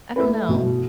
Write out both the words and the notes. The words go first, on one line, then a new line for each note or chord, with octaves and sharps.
I don't know.
A3 E4 B4
B2